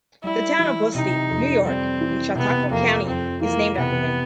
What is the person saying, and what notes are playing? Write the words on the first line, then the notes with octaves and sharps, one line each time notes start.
The Town of Busti, New York in Chautauqua County is named after him.
G3 E4
E3
C3 D#4
F2
G3 C4
E3
C3 B3
F2 A#3
F2 C4
E3 A#3
C3 B3